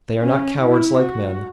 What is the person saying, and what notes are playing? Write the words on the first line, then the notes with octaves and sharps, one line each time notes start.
They are not cowards, like men.
C#4
E4
F#4